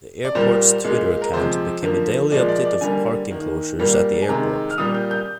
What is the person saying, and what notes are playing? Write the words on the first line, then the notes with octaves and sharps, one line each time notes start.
The airport's Twitter account became a daily update of parking closures at the airport.
D5
A#2 G3 A#3 C5
A#2 G#3
A#4
C3 F3 G#3 C5
D3 F3 A#3
A#2 F3 G#3 D5
D5
D5
D3 G3 A#3 G#5
D#3 A#3
A#2 G3 A#3
G#5
C3 D#3 G#3 A#5
F6
A#2 G3 A#3 D#6
G6
G6